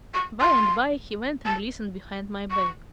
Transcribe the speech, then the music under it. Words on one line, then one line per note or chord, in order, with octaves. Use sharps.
By-and-by he went and listened behind my back.
C#6
C6
A5
C#6